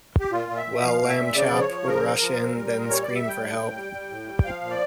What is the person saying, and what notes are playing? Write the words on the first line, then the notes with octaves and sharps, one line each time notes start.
Well, Lamb Chop would rush in, then scream for help.
G4
A#2 F4
A#2
E5
A#2
F3 F5
A#2
E5
A#2
C#3 D5
F3
C#5
F3
C#3 A#4
F3
F3
A#2
G3
A#2
G3 C#5
G3 D5
E5
G3 G5
A2
A2
G3
G3
A2
G3
F3 F5
A#2
D5